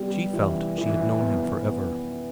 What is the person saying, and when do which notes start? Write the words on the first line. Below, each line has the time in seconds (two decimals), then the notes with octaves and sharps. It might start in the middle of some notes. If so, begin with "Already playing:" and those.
She felt she had known him for ever.
Already playing: G3 B3
0.33 E3
0.78 E3
1.21 B3